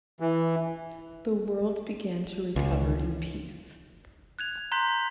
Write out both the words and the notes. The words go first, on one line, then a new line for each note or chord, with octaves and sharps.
The world began to recover in peace.
E3
C#2
F#6 G#6 F7
A#5 C6 F#6 G6 B6
B6